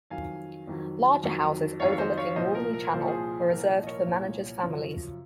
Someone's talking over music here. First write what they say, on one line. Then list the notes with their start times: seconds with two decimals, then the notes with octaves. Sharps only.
Larger houses overlooking Walney Channel were reserved for managers' families.
0.10 F2 D#3 F#3 F5 G#5
0.67 F2 D#3 F#3
1.23 F2 D#3 F#3
1.79 F2 D#3 F#3 C#5 F5
1.92 C#5
1.98 C5 D#5
2.18 C#5 F5
2.36 C2 A#2 F3 C5 D#5
2.54 A#4
2.73 A#4
2.93 C2 A#2 F3 C5
3.00 C#5
3.07 G#4 C5
3.49 C2 A#2 F3 A#4
3.83 D#5
3.87 A#4 C#5
4.06 C2 A#2 F3
4.63 F#2 C#3 F3